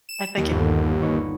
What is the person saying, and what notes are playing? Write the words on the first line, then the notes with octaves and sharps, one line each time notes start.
I think it
E7
D#2
G1 B3
D#4 B4 C#5